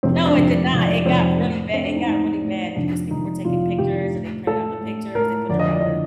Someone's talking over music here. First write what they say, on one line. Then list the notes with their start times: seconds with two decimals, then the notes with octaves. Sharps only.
No, it did not, it got really bad, It got really bad, because people were taking pictures and they printed out the pictures, they put it around the
0.03 F2 C3 D#3 C4
0.14 C4
0.26 D4
0.37 F2 C3 D#3
0.72 F2 C3 D#3
1.05 F2 C3 D#3 C4
1.40 A2
1.73 A2 C4
1.85 D4
1.96 D#4
2.08 A2 D#4
2.42 A2
2.76 F2 C3 D#3 D4
3.10 F2 C3 D#3 D#4
3.45 F2 C3 D#3 F4
3.78 F2 C3 D#3 G4
4.13 A2
4.47 A2 A4
4.81 A2
5.15 A2 A#4
5.49 F2 D3 D5
5.59 D#5
5.71 D5
5.81 D#5
5.88 D3